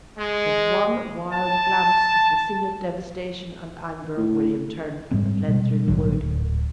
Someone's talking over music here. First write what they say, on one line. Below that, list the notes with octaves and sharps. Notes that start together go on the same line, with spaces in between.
With one wild glance at the scene of devastation and anger, William turned and fled through the wood.
G#3
A5
A2
G#2 G3 G#3 C4
B2 G3 G#3
A#1 G#2 D3 F#3
D1